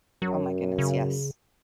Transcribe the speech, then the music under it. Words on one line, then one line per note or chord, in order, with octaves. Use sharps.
Oh my goodness, yes.
F#2 F#3
C#3